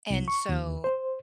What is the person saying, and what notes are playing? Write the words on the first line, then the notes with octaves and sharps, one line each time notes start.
And, so,
C2
C#6
D#2
C5